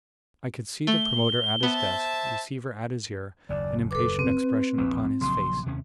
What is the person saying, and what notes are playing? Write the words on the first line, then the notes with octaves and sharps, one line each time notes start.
I could see the promoter at his desk, receiver at his ear, an impatient expression upon his face.
A3 G7
B3 C5 E5 A5
F#1 D#2 D5
A4 B4 D6
C4
A#1 E2
A#1 C#3 F#3 C6
D#2 C3 C#4